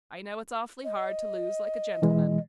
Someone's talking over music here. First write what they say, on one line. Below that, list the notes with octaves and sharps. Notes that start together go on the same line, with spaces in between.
"I know it's awfully hard to lose like a gentleman."
D#5
B2 E3 G#3